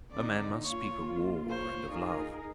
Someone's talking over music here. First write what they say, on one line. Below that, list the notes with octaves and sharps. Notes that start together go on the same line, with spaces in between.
A man must speak of war and of love.
D3 C4 D#4 D5
A#3 F4 C#5
C5 C#5
D#4 F4 G#4 A#4